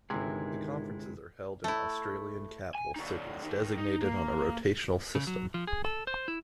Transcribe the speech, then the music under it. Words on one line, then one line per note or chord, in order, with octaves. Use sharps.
The conferences are held in Australian capital cities designated on a rotational system.
G1 C3 D#3 G#3 E4 G#4
A3 E4
G#5
C#3 D#4
D#2 D#3
D#4
A#3
C#3
F#3
F3
G#4
A4
C5
E4